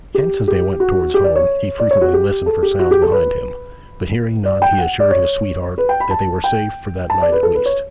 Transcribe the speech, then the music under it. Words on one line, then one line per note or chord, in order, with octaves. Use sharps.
Hence, as they went towards home, he frequently listened for sounds behind him, but hearing none he assured his sweetheart that they were safe for that night at least.
G4
G4
F#4
G4
D5
C#5
D5
C#5
F#4
G4
A4
G4
F#4
G4
A4
B4
D5
G5
F#5
D5
C#5
B4
G5
B5
A5
G5
A5
D5
B4
A4
B4
C#5